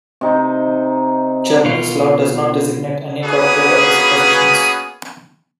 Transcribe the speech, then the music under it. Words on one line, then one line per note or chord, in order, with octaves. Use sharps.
Japanese law does not designate any corporate officer positions.
C3 D#4
B2 F4
A#3 B3 C#4 F#4 G#4 B4